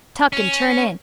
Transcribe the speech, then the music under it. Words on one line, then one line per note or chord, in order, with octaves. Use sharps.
Tuck and turn in.
C#4